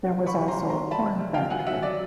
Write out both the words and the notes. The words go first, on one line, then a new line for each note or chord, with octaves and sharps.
There was also a corn factory.
C3
G3
B5 C#6
C3
A#5 C6
G3
G3 A#5 C6
G3
A5 B5
C3
G3
A#2 F5 G5
F#3 F#5 G#5
F#3 E5 F#5
F#3 D5 E5